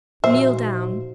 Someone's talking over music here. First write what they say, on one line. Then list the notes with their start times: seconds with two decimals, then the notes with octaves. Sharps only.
"Kneel down."
0.24 A#2 F3 D#4 F#4 C5 E5